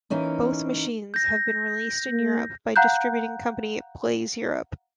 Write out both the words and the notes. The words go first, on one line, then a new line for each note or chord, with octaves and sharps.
Both machines have been released in Europe by distributing company Blaze Europe.
E3 A#3 C#4 D#4
G6 A#6
A#3
F5 F#5 A#5 F#6 G6